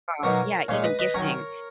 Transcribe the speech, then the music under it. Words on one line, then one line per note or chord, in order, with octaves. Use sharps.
um yeah, even gifting,
B2 F#3 A#3 D#4 A#4 C#5
A#2 G#3 D#4 C#5 F5
B4 D#5
B4 D#5
D#3 F#3 C#4 A#4 C#5